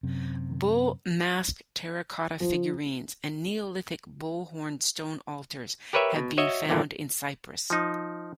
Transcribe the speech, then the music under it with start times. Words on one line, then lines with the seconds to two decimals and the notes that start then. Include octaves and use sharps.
Bull-masked terracotta figurines and Neolithic bull-horned stone altars have been found in Cyprus.
0.03 F#2 C3
2.40 F3
5.93 G4 A#4 B4 C#5 E5
6.16 B2
6.37 F#4 C#5 D#5 E5
6.69 E2 G2 A#2 D3 E3
7.70 F3 D#4